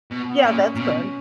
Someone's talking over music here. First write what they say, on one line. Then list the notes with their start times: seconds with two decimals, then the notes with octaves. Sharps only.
Yeah, that's good.
0.11 B2
0.29 B3
0.45 A#2 C#4
0.75 A#2
0.80 B2